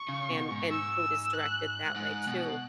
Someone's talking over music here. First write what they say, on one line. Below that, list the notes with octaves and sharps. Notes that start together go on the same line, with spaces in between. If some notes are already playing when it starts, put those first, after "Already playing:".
And and food is directed that way too.
Already playing: C#6
C#3
B2
G#2
E6
F#6
G#2
B2